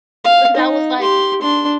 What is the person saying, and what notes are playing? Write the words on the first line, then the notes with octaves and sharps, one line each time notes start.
because I was like
F5
D#4
G4 C6
D4 C6